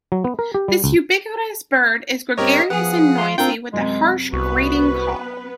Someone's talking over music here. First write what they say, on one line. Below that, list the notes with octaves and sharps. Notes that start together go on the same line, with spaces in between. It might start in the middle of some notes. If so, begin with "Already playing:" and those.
This ubiquitous bird is gregarious and noisy, with a harsh grating call.
F#3
B3
A#4
G4
G3
C#2
G2 C4 G4 A#4 C#5 D#5
F3 B3 G#4 B4 F#5
F4
C4 D4 F4 A#4 G5
F#2 C3 G#3
C2 B3 F#4 B4